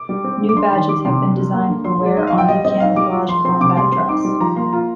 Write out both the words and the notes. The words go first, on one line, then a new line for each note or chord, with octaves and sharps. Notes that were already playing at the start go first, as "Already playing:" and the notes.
New badges have been designed for wear on the camouflage combat dress.
Already playing: D6
G3
C4
D3
D6
D4 C6
D#3 C6
G3 D6
C3 C6
D4
G3
A#3
D3
F3 C6
G#3
D5
D#4 D#5
F5
F3
G5
G3 D#5
C4 D#5
D#4 F5
G3 D6
F4
F3 C6
C4 C6
C3 D6
G3 C6
C4 C6
D#4 D6
G3
F3 A#5
A#3 C6
F4 A#5